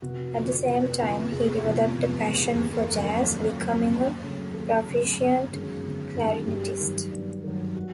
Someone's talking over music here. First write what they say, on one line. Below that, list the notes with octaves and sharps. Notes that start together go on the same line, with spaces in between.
At the same time, he developed a passion for jazz, becoming a proficient clarinetist.
F1 F#4
F2 D3
F1
F2 D3
F1 G#4
E2 C3 F3 G#3
F1
E2 C3 F3 G#3
D#2
A4
A#4
D3 F#3 A#3 C#4
A#4
D#2 A4
D3 F#3 A#3 C#4
D#2
C#3 F#3 A3
D#2 A4
C#3 F#3 A3
G1
F#2 D#3 G#3 C#4
G1
F#2 D#3 G#3 C#4
G2 G4
D#3 F#3
G2
D#3 F#3
F#4